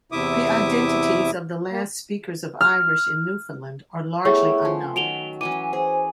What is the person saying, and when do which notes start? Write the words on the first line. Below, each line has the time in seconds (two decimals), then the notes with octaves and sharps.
The identities of the last speakers of Irish in Newfoundland are largely unknown.
0.12 E2 C3 E4 E5 D6 D#6
1.72 A#3
2.61 F6
4.25 G3 A3 B3 E4 G#4 C#5 C#6
4.62 F3 C#4
4.96 D#3 F#3 F#4 D7 F7 G7
5.41 E3 F#3 C#4 D6 D#7
5.73 G#4 C5